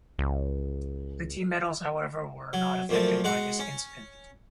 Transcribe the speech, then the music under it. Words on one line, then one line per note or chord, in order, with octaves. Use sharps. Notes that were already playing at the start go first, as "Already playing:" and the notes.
The team medals, however, were not affected by this incident.
C#2
F#3
F#2 A#2 F3 A3
G#3 F#4 F#5
C#4